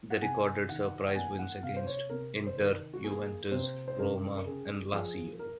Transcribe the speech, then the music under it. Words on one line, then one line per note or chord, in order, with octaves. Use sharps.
They recorded surprise wins against Inter, Juventus, Roma and Lazio.
F#5
C3 G#5
D#3 F#5
F#5
A#3 G#5
F#5
C3 F5
C5
C#5
C3 A#4
C5
D#3 A#4
F#4
A#3 G#4
C3 C5
C5
F#2 A#4
A#4
C#3 G#4
F3 G#4
A#4